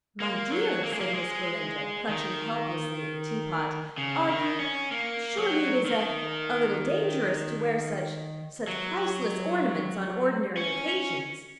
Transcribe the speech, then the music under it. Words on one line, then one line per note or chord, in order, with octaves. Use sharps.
"My dear," said Miss Belinda, clutching helplessly at the teapot, "are you--surely it is a--a little dangerous to wear such--such priceless ornaments on ordinary occasions."
A#3
F#3
A#3
G#3
A#3
G#3
D#3
C#3
D#3
C#4
A#3
F#3
D#3
F#3
C#4
C#4